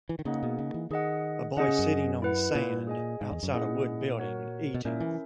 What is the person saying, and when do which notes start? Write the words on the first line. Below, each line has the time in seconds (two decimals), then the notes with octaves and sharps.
A boy sitting on sand outside a wood building eating.
0.09 E3
0.19 D#3
0.25 C#3 A#3 D#4 G#4 D#5 F#5
0.43 B2
0.59 C#3
0.74 E3
0.91 D#3 G#4 D#5 F#5
1.57 D#3 C#4 G#4 D#5 F#5
1.68 C#3
1.79 F#2
2.22 E4 B4 F#5
2.55 A#2
2.87 G#4 D#5 G#5
3.21 G#2
3.31 E2
3.43 F#2
3.53 A#2 C#4 E4 G#4 D#5 F#5
4.18 F#4 A#4 C#5 F#5
4.74 B2
4.85 A#2 C#4 E4 A#4 E5
5.00 E3